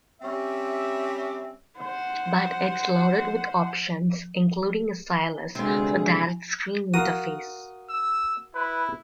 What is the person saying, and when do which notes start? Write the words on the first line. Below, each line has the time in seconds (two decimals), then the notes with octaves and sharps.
But it's loaded with options, including a stylus for direct screen interface.
0.22 G3 C4 C#4 E5
1.78 C5 F#5
5.55 D2 C3 G#3 B3 F4 G#4
6.94 F#4 A#4 F5 D#6
7.90 E6
8.55 E4 B4